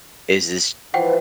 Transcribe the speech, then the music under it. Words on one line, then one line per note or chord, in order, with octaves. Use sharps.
is this
E3 F3 F#5 G5